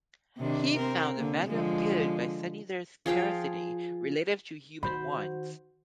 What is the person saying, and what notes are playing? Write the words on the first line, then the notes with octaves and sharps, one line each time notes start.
He found the value of goods by setting their scarcity relative to human wants.
C3 D#3 D4
C4 A#4
D3 A#3
D3 F3 G#3
F3 G#4 F5 G5
D#3 F#4 C5 B5